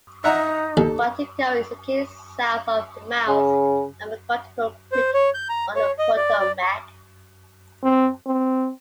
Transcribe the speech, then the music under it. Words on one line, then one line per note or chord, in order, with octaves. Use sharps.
Quantico is located south of the mouth of Quantico Creek on the Potomac.
D#4 E5 F#5 A#5
D#2 A4
C#3
C5
C#5
G6
A#5
C#5
D#5
D5
D5
C4
C4